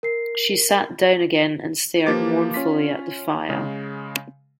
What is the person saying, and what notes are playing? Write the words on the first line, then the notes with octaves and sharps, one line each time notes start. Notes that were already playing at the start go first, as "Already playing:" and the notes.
She sat down again, and stared mournfully at the fire.
A#4 C7
F3 A#3 G4 B4 D6 A6
C#4 F4 B6
C#3 G#3